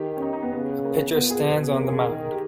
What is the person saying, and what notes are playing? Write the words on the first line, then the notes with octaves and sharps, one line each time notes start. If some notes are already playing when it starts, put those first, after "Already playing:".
A pitcher stands on the mound.
Already playing: D#3 G4
C#4
D#4
D#4
B3
C#3 B3
A#3
A#2 B3
G#4
B2
C#3 A#4
G#4
A#4
D#3
G4